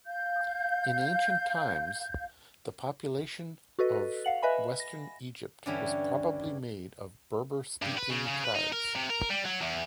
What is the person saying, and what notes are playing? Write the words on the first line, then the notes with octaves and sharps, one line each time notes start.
In ancient times, the population of western Egypt was probably made of Berber-speaking tribes.
F5 G6
F#4 A4 B4 D#5
F5 F#5 F#7
B4 D#5 E5 G#5 B5
A#6
G2 D3 E3 G3 C#4 E4
G2
B4
C#3
C#3
B4
D#4
A#4
C3
A#4
G3
F#3
E2